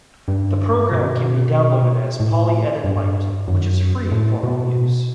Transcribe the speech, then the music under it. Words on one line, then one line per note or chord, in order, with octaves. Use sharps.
The program can be downloaded as PolyEdit Lite, which is free for home use.
G2
B2
A2
G2
F#2
A2
B2